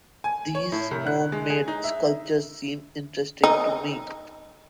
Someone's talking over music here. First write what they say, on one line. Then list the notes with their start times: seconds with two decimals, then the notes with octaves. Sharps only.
These home-made sculptures seem interesting to me.
0.24 G#5
0.55 C#5
0.72 A2
0.91 C2
1.07 F#6
1.32 G#3
1.50 G#4
1.68 D#4
1.84 E5
3.44 D#4